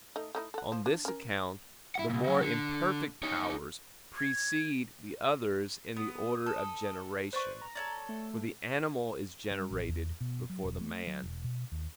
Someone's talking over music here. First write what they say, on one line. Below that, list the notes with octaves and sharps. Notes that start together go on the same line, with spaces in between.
On this account, the more imperfect powers precede the others in the order of generation, for the animal is generated before the man.
A3 D#4 D#5
A3 D#4 E4
A4 F#5
F3
D4
C#4 A#4
E4 F#5
C2 A#2
C#3 F#3
D3
D#4 C#5
G#6
B3 D#6
A4
B4 C5 D5 C#6
A#5
A4 C#5 D5
A3
G3
A1
E2
B2
F#3
E1
A3
F#3
E1
B2
D#2